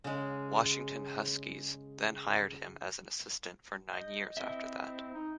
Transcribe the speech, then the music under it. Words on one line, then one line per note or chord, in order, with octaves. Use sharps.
Washington Huskies then hired him as an assistant for nine years after that.
C#3 G#3
D#5 G6
C4 E4 D#5 E5
D#4